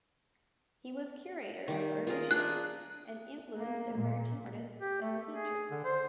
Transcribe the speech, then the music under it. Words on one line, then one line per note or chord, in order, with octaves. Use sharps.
He was curator of early shows, and influenced emerging artists as a teacher.
D#3 G3
F4 G#4 A#4
D4 F4 G#4 F#6
A#3
A#2
G4
A3
G#4
D3
C5